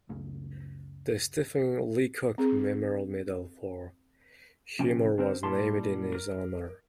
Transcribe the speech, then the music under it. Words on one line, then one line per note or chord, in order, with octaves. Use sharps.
The Stephen Leacock Memorial Medal for Humour was named in his honour.
F#1 C#2 C#3 A3
C4 G#4
C3 F3 C#4 G5
D3 C4 A#4 C5
A#2 G3 E4 G4 A5 C6
A#4